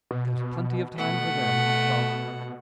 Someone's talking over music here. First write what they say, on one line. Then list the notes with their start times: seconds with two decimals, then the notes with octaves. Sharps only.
"There's plenty of time for them," he thought.
0.11 B2
0.97 A3 F#5